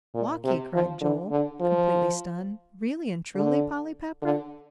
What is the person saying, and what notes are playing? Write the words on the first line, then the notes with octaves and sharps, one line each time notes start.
"Whockey!" cried Joel, completely stunned, "really and truly, Polly Pepper?"
A#2
C3
F3
D3
D3
F3
D3
D3